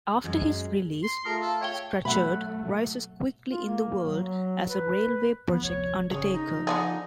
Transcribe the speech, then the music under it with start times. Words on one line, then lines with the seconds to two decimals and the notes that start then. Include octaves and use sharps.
After his release, Scatcherd rises quickly in the world as a railway project undertaker.
0.24 F#2 G#3
1.04 C6
1.25 A3 F4 G#4 A#4 A5 D#6
1.41 A4 F5 A5
1.61 C#5 E5 G5 G7
2.05 B2 F#3 A3 E5 F#5 B5
3.50 F4
3.65 A#3
4.03 F#3
4.23 F#3
4.68 B4
5.49 D2 F3 B3
5.63 F1 C#5
6.11 F#1 C#3 G#4 C#5
6.33 D3 D#4
6.53 F3
6.67 D3 E3 G#4